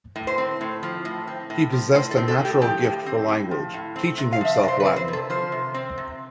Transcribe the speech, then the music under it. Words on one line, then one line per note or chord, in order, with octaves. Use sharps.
He possessed a natural gift for language, teaching himself Latin.
A2
C5
C4
A2
F3
A2
C4
A2
F3
A2 C5
A4
C4
A4
A2
G4
F3 G4
A2
C4
A2
F3
A2
C4
C3
F5
F3 E5
D5
C3
C5
B4
C4
C5
C3
A4
F3 C5
C3
C4
C3